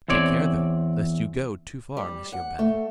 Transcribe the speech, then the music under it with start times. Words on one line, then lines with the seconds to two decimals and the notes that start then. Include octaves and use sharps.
"Take care, though, lest you go too far, Monsieur Bannon."
0.08 E2 C4 C#5 D5
1.97 G3
2.32 F#5
2.59 A3